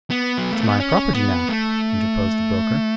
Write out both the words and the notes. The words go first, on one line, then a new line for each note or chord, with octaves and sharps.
"It's my property, now," interposed the broker.
B3
F#3
A3
B3
C#4
B3
A3